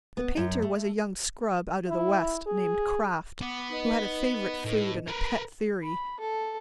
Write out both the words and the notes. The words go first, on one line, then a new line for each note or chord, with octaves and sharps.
The painter was a young scrub out of the West named Kraft, who had a favourite food and a pet theory.
B3
F#2
A3
E4
G#4
B3 D6
D#4 B4 D#5
A2
A#4 B4
B5
A4